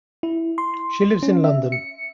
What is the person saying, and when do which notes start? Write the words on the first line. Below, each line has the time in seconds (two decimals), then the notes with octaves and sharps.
She lives in London.
0.23 E4
0.58 C6
1.23 C#4
1.44 E5
1.72 C#7